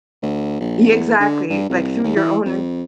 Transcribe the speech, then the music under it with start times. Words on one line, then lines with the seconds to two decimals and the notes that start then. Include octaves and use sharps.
Yeah, exactly, like, through your own
0.22 D2
0.60 A#1
0.91 E2
1.20 D3
1.50 G2
1.70 C2
2.04 D#2
2.16 E3
2.46 F2